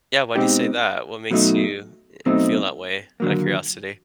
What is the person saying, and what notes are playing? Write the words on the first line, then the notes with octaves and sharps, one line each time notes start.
yeah, why do you say that? What makes you, eh, feel that way out of curiosity?
B2 G#3 C4 D#4 G4
B2 F#3 A3 C4 D#4
B2 F#3 A3 C4 D#4
D#2 D3 F#3 A#3